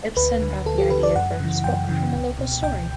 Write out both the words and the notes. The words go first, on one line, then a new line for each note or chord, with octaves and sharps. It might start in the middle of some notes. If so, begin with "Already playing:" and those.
Ibsen got the idea for this book from a local story.
D2 B4
D3
D2 A4
G4
D3 B4
D5
F#2 F#5
C#3 E3
F#2 G5
C#3 E3
C#2
B2
C#2 G5